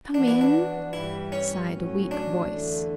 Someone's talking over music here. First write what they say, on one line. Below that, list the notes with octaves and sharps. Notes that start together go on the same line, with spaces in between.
"Come in," sighed a weak voice.
E3 B3 D4 F#4
E4
D4
G2 E3 G3 E4
C#4
A2 F#3 C#4
D4
E2 D3 A3